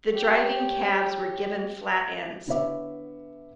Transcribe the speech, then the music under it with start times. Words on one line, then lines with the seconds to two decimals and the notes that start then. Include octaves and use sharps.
The driving cabs were given flat ends.
0.14 G4 C#5
2.47 D3 B3 E4 C#5 E5 D6